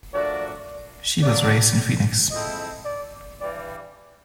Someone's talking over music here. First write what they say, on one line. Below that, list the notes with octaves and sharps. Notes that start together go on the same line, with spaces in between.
She was raised in Phoenix.
F3 A3 D4 F#4 A#4 D5
D3 F#3 A#3 D4 D5
F3 G#3 C4 E4 A4 D#5
D5
G2 E3 G3 D5